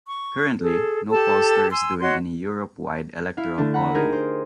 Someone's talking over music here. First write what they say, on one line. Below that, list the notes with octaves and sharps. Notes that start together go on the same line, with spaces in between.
Currently, no pollster is doing any Europe-wide electoral polling.
C#6
G#4 A4
G4 A4 A5
G#5 C6 E6
F#4 C#5 D#5 C6
E4 F5
D3 A3 D4
F#5 A#5 B5
D#4 F4 G4 G#4 A#4
C5